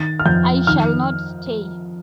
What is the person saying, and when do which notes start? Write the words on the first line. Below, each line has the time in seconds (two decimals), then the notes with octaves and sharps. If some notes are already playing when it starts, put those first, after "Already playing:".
I shall not stay.
Already playing: D#3 A6
0.19 F6
0.26 F2 G6
0.67 D#3 F6